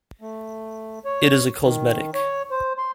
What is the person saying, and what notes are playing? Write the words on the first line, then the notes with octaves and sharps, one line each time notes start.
It is a cosmetic.
A3
C#5
D#3
C#5
C5
C6